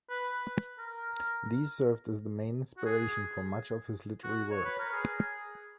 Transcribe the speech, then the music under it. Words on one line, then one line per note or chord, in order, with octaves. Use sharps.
These served as the main inspiration for much of his literary work.
B4
A#4
F#4
G#4
F#4
C#5
B4
A#4
G#4